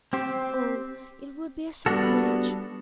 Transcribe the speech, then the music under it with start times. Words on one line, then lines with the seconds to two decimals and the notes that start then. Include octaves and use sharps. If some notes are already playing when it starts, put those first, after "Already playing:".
Oh, it would be a sacrilege.
0.13 C4 G4 C5
1.86 G3 B3 D4 F#4 A4